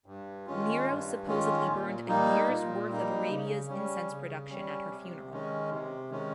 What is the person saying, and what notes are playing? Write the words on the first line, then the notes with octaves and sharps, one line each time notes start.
Nero supposedly burned a year's worth of Arabia's incense production at her funeral.
G2
D#3 G#3 C#4 F4
G2
D#3 G#3 C#4 F4
A#2
G3 A#3 D#4
A#2
G3 A#3 D#4
C#3
G3 C#4
C#3
G3 C#4
C3
D#3 G#3 C#4
C3
D#3 G#3 C#4